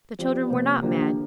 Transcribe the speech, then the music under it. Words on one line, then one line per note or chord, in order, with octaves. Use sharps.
The children were not mad.
F3 C4 G4 D5
C3 F3 A#3 F4 C5
D3 F3 A#3 G4 D5